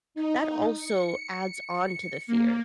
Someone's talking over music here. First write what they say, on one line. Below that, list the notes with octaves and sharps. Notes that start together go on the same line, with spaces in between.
that also adds on to the fear,
D#4
C#7
A#3